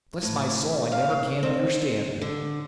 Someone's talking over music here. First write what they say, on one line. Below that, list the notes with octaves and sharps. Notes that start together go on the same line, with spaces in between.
"Bless my soul, I never can understand it!"
A2
F5
C4
D3